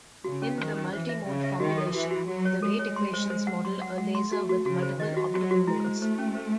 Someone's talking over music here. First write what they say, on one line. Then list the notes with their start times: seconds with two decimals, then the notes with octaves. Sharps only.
In the multimode formulation, the rate equations model a laser with multiple optical modes.
0.24 C#3 F#4
0.42 C#4
0.58 D#3 C5
0.75 C#4
0.93 E3 C5
1.09 E5
1.26 C#3 E5
1.44 E5
1.60 D#3 F#4
1.78 A4
1.94 E3 F#4
2.11 F#4
2.28 F#3 F#4
2.45 C#5
2.62 G#3 A4
2.79 C#5
2.96 C6
3.14 C5
3.30 C5
3.47 F#5
3.64 F#3 C6
3.82 F#5
3.98 G#3 F#5
4.15 C6
4.32 A3 F#4
4.49 F#4
4.66 C#3 F#4
4.83 C5
4.99 D#3 D#5
5.17 F#4
5.33 F#3 F#4
5.51 F#4
5.67 G#3 E4
5.84 C5
6.02 A3 C5
6.19 C#4
6.35 C5